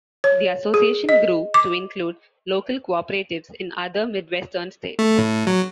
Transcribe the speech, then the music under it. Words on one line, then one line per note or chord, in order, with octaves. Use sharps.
The association grew to include local cooperatives in other Midwestern states.
C#5
G#4
D#5
D6
A3
A2
F#3